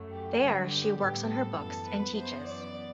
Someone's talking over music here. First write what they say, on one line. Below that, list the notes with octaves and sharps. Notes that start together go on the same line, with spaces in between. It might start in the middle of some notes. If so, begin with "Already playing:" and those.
There she works on her books and teaches.
Already playing: F#2 F#3 A3
G4
G2 D3 G3 B3 F#4
G4
A2 G3 B3 G4
A4
F#2 E3 B3 A4
B4
F#2 E3 B3 C5
D5